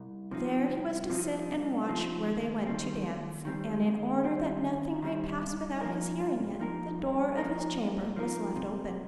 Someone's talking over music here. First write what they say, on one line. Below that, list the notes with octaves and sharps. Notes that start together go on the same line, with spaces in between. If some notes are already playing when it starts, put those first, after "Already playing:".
There he was to sit and watch where they went to dance; and, in order that nothing might pass without his hearing it, the door of his chamber was left open.
Already playing: C2
C3 F3 C4 D#4
C2
C3 F3 C4 D#4
C2
C3 F3 C4 D#4
D#2
D#3 G3 C4
D#2
D#3 G3 C4
D#2
D#3 G3 C4
D#2
D#3 G3 C4
G2
F3 A#3 D#4 A#4
G2
F3 A#3 D#4 A#4
G2
F3 A#3 D#4 A#4
G2
F3 A#3 D#4 A#4
C3